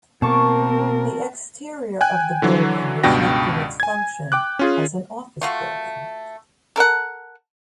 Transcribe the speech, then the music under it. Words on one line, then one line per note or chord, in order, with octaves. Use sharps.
The exterior of the building reflected its function as an office building.
B2 A#3 C4 A#4 A5 C#6 D6
G5 G#5 F#6
D3 E3 F#3
C#2 G2 B2 D4 G5 A#6
G#5 G#6
G5 D6 F#6
C#4 F4 G#4
A3 F4 F#4
A4 A#4 E5 F#5